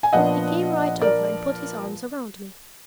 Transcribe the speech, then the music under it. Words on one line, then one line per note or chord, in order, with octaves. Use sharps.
He came right over and put his arms around me.
G#5
A#2 F3 B3 D4 D#5 F#5
A#4 D5